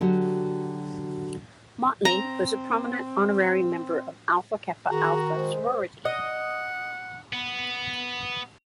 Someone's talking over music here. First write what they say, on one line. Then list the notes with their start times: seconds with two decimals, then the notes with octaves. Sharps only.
Motley was a prominent honorary member of Alpha Kappa Alpha sorority.
0.01 D3 F#3 F#4 G4
2.05 C4 A#5
4.90 D#3 F#4 G#4 A#5
5.36 G#3 C5
6.05 D#5 F#5
7.33 B3